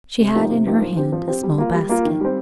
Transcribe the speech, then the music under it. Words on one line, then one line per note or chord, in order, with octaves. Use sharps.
She had in her hand a small basket.
C3
F3 A#3 D#4 G4
C3
F3 A#3 D#4 G4
F3
C4 G4
F3
C4 G4
G3
A#3 F4
G3
A#3 F4
D#3
G3 C4